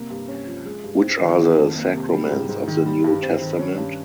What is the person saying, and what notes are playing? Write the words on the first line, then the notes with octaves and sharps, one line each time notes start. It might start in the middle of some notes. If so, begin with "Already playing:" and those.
Which are the sacraments of the New Testament?
Already playing: C3 A#3
G2
C#4
F3
G#3
G2
C4
D#3
D#3
F2
A#3
C3
G3
G#2
G#2
D#3
G3
G2
C4
D#3
C#4
G2